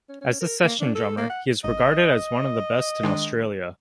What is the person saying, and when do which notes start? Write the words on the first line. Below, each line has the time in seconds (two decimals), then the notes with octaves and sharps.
As a session drummer, he is regarded as one of the best in Australia.
0.09 C#4
0.21 C#4
0.41 A#4
0.64 A#3
0.81 D4
0.95 A4
1.17 A#3
1.30 F#5
1.64 G#1 D#5
3.03 D#3 G#3 D4